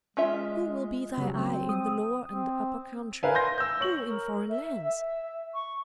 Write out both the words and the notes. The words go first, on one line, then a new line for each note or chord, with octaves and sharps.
Who will be thy eye in the Lower and the Upper Country, who in foreign lands?
G#3 C#4 F4 E5
C#3 F#3 G3
F#3 C4
D#6
C4
A#4 B4 E5 F5 G#5
C6 G6 A#6
E6 G6
C#5 C#6 F#7
A#4
E5
E5
C#6